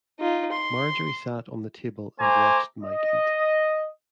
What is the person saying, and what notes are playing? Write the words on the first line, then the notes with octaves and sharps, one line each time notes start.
Marjory sat on the table and watched Mike eat.
D#4 F4
C6
A3 C5 G#5 A#5 D6
D#5